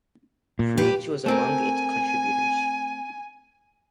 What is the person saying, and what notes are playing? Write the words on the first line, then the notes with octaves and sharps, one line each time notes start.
Frege was among its contributors.
A#2
G4 B4
A3 C4 A#4 G#5